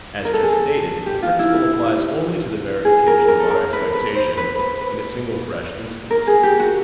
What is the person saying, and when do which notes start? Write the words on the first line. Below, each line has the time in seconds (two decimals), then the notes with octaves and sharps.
As just stated, the principle applies only to the verification of our expectation in a single fresh instance.
0.25 A#4
0.34 A4
0.43 G#4
0.53 A4
1.06 G4
1.22 F4
1.39 E4
1.55 E4
2.85 G#4
3.07 A#4
3.28 A#4
3.40 A4
3.51 A#4
3.73 B4
3.95 B4
4.15 C5
4.37 B4
4.59 B4
4.81 B4
6.11 A#4
6.27 G#4
6.43 G4
6.59 F#4